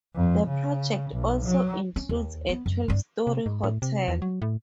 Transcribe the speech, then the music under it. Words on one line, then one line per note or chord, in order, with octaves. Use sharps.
The project also includes a twelve-story hotel.
F2
C#3
B1
F#3
C#4
D#2
B3
F#2
G2 D4
C3
G#2
A2
C3
E2
F#3
A2